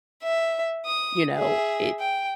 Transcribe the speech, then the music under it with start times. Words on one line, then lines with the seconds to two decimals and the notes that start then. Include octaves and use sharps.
you know, it
0.23 E5
0.86 D#6
1.36 G#4 E5
2.00 G5